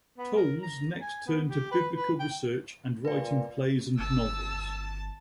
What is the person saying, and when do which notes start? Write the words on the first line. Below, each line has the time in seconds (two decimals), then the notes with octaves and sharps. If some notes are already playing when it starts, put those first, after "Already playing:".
Towles next turned to biblical research and writing plays and novels.
0.18 B3
0.37 A#4
0.63 A#5
1.01 G#5
1.26 B3
1.48 G4
1.71 B4
1.95 B4
2.19 G5
3.05 A#2 B4 D5
3.98 G1 A5 E6